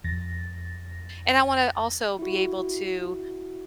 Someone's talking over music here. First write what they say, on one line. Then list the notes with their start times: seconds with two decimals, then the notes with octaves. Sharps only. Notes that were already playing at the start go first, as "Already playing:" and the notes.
and I wanna also be able to,
0.04 F2 A6 A#6
2.19 E4 F#4